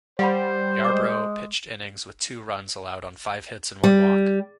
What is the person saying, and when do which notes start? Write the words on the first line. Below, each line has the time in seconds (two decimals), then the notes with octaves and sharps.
Yarbrough pitched innings with two runs allowed on five hits and one walk.
0.19 G3 C5 F5 F#5 B5
0.85 G#3 D6
3.84 G3